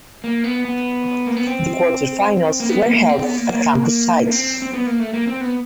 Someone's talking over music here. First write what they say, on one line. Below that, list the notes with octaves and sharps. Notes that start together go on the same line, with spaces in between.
The quarterfinals were held at campus sites.
A#3
B3
B3
A#3
B3
C4
A#3
B3
A#3
A#3
C4
B3
A#3
A#3
C4
C4
B3
A#3
A3
A#3
C4
B3